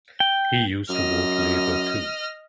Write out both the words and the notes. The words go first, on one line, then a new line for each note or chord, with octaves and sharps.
He used to vote Labour, too.
G5
F#2 D#5 F6